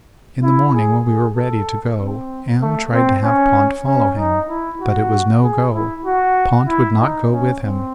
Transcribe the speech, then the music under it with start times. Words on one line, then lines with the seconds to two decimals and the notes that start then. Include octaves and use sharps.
In the morning when we were ready to go Am tried to have Pont follow him, but it was no go, Pont would not go with him.
0.43 E4
0.75 G#4
1.06 G#4
1.37 A4
2.00 C4
2.62 A3
2.93 C4
3.24 C#4
3.87 C#4
4.18 D#4
4.49 E4
4.81 F#4
5.43 G#4
5.74 E4
6.06 F#4
6.68 E4
6.99 D#4
7.31 C#4
7.61 C4